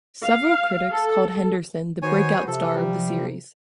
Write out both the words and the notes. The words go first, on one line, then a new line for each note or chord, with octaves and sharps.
Several critics called Henderson the "breakout star" of the series.
F5
A4
D#3 B3 F#4 C5 C#5 G#5
C3 F3 A4
G3